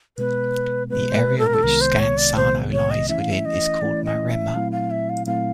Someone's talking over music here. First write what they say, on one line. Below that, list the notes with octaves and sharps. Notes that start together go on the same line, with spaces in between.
The area which Scansano lies within is called Maremma.
B2 G#3 B3 B4
B2 G#3 B3 B4
C5
B4
A4
A#4
A4
C2 C3 D#3 G#3 B3 A#4
C5
C#5
D5
C2 C3 D#3 G#3 B3 C5
C#5
D#5
E3 A3 C#4 E4 E5
F5
E5
D#5
E3 A3 C#4 E4 D5
D#5
E5
A#2 F#3 A3 C4 E4 F5
F5
E5
F5
A#2 F#3 A3 C4 E4 F5